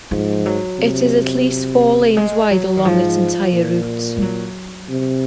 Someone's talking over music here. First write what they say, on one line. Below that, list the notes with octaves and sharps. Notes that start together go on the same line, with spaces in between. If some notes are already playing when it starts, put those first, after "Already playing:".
It is at least four lanes wide along its entire route.
G#2 F3
F#3
C3
G#3
F#3
D#3
G#2 F3
A#2
G#3
F#3
C3